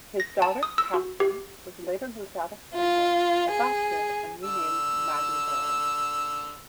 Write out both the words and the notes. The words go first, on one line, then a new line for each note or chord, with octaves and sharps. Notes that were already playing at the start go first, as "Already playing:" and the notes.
His daughter, Katherine, was later moved out of Springwood, adopted, and renamed Maggie Burroughs.
A#6
A5
D#6
E6
F#4
G4
F4
G#4
D3 E6